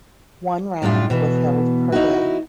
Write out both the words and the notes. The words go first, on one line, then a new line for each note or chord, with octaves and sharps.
One round was held per day.
F#2 A2 G3 D4 F4
B2 E3 B3
D#4 E4 F#4